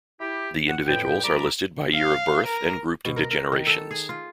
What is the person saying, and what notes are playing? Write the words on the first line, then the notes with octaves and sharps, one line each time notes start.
The individuals are listed by year of birth and grouped into generations.
E4 G4
F#5
F2 A2 B4 G5
C2 G3 D5 A#5 B5 D6
F5
A#4
B2
A#4
A#4
D#3
A4
G#4
F4